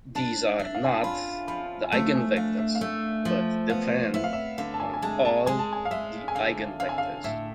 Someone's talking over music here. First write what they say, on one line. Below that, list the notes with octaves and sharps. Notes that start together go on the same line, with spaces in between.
These are "not" the eigenvectors, but "depend" on "all" the eigenvectors.
D4 A5
D4 E5
F5
G#5
A5
F4 B5
F3 B5
G#5
A3 A5
G#5
D4 F5
E5
F5
A3 E5
F3
B3 F5
B3 E5
F5
E5
D3 F5
A5
G#5
G#5
G#3 A5
A5
G#3 G#5
A5
G#5
F5
G#3 E5
G#5
D3 F5
D3 F5
G#5
F5
A2 E5